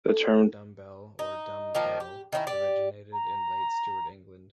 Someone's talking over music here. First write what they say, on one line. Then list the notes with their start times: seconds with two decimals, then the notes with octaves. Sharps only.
The term "dumbbell" or "dumb bell" originated in late Stuart England.
0.08 A4
1.19 D#4
1.75 D#3 F3 A#3
2.00 G4
2.32 D#3 C#4 D#4 E4
2.47 G4 D5
3.13 A#5